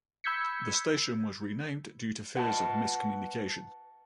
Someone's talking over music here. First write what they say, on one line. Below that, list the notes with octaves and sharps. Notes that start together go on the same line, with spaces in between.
The station was renamed due to fears of miscommunication.
B5 E6 G6 G#6 B6 C#7
B4 F#5 G5 A5